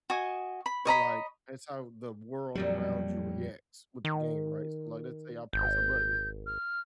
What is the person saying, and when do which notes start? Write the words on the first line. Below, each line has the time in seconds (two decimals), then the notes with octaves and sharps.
but, like, that's how the world around you reacts with the game, right? So, like, let's say I press a button
0.10 F#4 D#5 G#5
0.66 B5
0.85 C#5 D#5 A#5 B5
2.55 F2 A#2 F#3 G3 D4 D#4
4.05 D#3
5.53 G#1 G6
6.46 F6